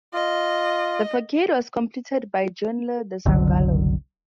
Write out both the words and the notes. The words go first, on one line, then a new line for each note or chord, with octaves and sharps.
The facade was completed by Giuliano da Sangallo.
F4 D#5
F#1 C2 D3 F#3